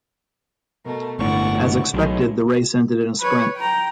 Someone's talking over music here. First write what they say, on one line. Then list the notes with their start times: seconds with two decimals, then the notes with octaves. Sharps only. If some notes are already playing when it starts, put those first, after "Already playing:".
As expected the race ended in a sprint.
0.86 B2 A3 A#4
1.19 G1 A2 D5 F#5 C#6
1.94 B1 A2 G#3
3.19 B4 C#5
3.56 G5 A#5